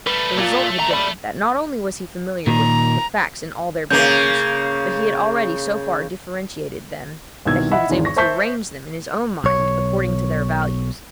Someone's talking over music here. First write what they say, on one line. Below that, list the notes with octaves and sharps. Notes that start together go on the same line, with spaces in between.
The result had been that not only was he familiar with the facts in all their bearings, but he had already so far differentiated them that he was able to arrange them in his own mind according to their values.
G3 A3 B4
A#2 A3 F4
C#3 A#5
D5 B5
A#2 D#3 A#5
C#3 A#3 G6
C2 B2 D#3 E6 G#6
D#5 E5 F#5 B5
G#1 E2 D#3
C#6 A#6
C5 E5 A5 C#6 G6 B6
B1 C#5